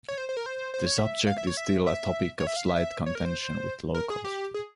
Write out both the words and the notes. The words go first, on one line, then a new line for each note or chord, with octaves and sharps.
The subject is still a topic of slight contention with locals.
C#5
C5
C5
A#4
C5
C5
C#5
E5
F5
E5
C#5
E5
E5
C#5
E5
F5
E5
E5
C#5
A#4
C5
A#4
G#4
G4
G#4